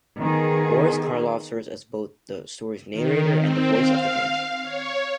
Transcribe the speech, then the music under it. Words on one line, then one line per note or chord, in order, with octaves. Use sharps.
Boris Karloff serves as both the story's narrator and the voice of the Grinch.
D#3 B3 G#4
D#3
C4
F5
C#5